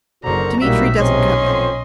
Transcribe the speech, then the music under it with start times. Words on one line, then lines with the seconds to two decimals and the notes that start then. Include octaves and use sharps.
Dmitri doesn't come in.
0.24 F#1 D3 F#4 A#4 C5 A#5 C#6
0.61 B1 A#2 G3 A#3 D#4 E4 F#4 E5
1.00 C3 G#3 C#4 D#5 C6
1.45 F2 C5